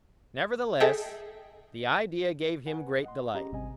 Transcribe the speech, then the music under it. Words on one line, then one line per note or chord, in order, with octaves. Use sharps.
Nevertheless, the idea gave him great delight.
G#4 A4 D#5 E5 G5
B4 F#5 G#5
D#5 F#5 C6
C#4 G4 G#4 D#5 A#5
G#1 C3 G3 C4 D#5 G#5